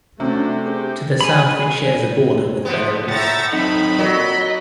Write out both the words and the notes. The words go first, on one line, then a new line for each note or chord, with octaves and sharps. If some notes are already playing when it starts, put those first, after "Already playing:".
To the south it shares a border with Belarus.
C3 A3 C#4 D4 F#4
G4 G#4 C5
G#5 B5
F3 B3
A2 E5 F#5 A#5 A6
F#3 C4 D#4 B5
A#2 F#3 D#5